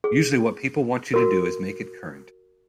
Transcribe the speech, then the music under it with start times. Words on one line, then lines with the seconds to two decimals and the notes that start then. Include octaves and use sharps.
Usually what people want you to do is make it current.
0.04 G#4
1.14 F#4 A#4